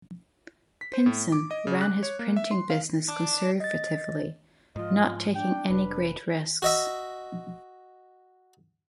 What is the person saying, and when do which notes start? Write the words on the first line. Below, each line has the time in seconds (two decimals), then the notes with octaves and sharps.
Pynson ran his printing business conservatively, not taking any great risks.
0.81 B6
0.93 C5
1.06 A2
1.32 D6
1.51 D#5
1.67 C#3
1.81 F#6
2.03 C#5
2.19 A#3
2.36 E5
2.51 C6
2.70 F5
3.08 D4
3.60 D#5 A6
4.76 G#2 F3 F4 D#5
5.35 D4 G5
5.70 F1 B4
6.62 F#4 D#5 E5